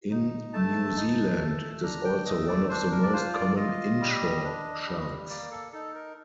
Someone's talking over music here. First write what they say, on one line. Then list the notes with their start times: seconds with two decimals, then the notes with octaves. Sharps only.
In New Zealand, it is also one of the most common inshore sharks.
0.11 D#4
0.53 A3 A5
0.97 D#4
1.39 A3
1.83 D4 A#5
2.05 G5
2.26 A3 D#5
2.48 D5
2.69 D4 C5
2.91 A#4
3.03 D5
3.13 F4 C5
3.35 D5
3.56 F4 D#5
4.00 G3
4.44 D4
4.86 G3
5.29 A#3 D5
5.51 A4
5.72 D#4 A4
5.95 A#4